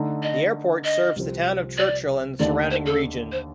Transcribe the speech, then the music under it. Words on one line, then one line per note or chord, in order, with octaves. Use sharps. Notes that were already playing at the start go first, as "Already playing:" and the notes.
The airport serves the town of Churchill and the surrounding region.
Already playing: D3 A3 D#4
D#5
D#5
C2 C3 F3 C4
D5
D#2 D3 A3 D#4 D5
C5
A4
C5